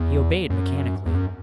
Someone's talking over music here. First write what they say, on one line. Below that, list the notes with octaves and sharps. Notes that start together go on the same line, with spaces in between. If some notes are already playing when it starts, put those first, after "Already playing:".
He obeyed mechanically.
Already playing: E2
F#2
E2
F#2